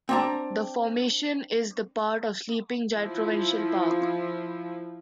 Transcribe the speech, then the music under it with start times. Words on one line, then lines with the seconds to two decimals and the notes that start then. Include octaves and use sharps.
The formation is part of Sleeping Giant Provincial Park.
0.09 C4 D4 A#5
2.97 F3 E4